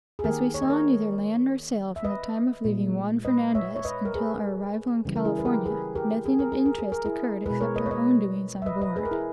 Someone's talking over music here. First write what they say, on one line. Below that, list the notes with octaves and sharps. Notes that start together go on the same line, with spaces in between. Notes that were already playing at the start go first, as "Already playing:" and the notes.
As we saw neither land nor sail from the time of leaving Juan Fernandez until our arrival in California, nothing of interest occurred except our own doing on board.
G#4
D#3 A#3 G4 A#4
C#5
D#5
A#4 C#5
E5
B4 D#5
A#2 G#3
B4 D#5
C#5 E5
C#5
B4 D#5
A#4
G#4 B4
C#3 E3 G3
A#4
E4 G#4
B4
G4 A#4
G#4 B4
G4 A#4
G#4
A#4
G#4
A#4
G#4
A#4
E4 G#4
B2 G#3 G#4 B4
A#4 C#5
B4 D#5
C#5
B4 D#5
E5
B4 D#5
B4 D#5
G#4 B4
A#4
E4 G#4